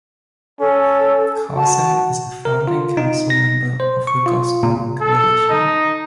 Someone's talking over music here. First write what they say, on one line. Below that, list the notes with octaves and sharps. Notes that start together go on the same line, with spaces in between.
Carson is a founding council member of The Gospel Coalition.
C#4 A4
F#4 A5
A#4
F4
D#4
A#6
C5
C#6
F4
A#2
A4
D#4